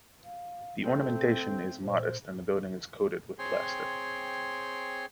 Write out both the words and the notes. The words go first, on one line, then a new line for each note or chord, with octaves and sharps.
The ornamentation is modest and the building is coated with plaster.
F5
A3 C4 A4
A#2 C5
C4 G#4 C#5 G5 C6